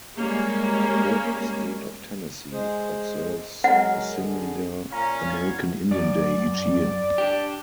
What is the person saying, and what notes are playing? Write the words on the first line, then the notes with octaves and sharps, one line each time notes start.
The state of Tennessee observes a similar American Indian Day each year.
G3 G#3 A#3 C#4
G#3 G#4 C5
F#3 G#3 A#4 F#5
D3 G#4
A#2 C#4 F5 A#5
E2 G#6
F#2 D5
D4 G4